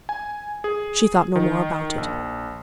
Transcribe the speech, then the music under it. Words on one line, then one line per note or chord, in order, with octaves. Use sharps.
She thought no more about it.
G#5
G#4
D#3
A#1